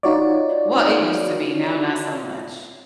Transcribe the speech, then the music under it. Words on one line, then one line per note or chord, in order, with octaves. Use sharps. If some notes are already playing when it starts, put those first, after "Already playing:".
Well, it used to be, now not so much.
D#4 F4 F#4 C#5 D5